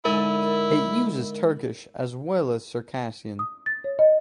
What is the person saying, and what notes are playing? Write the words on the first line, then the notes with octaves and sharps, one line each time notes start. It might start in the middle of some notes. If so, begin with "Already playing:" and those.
It uses Turkish as well as Circassian.
G#2 D3 E4 A#4
D#6
A6
C#5
D#5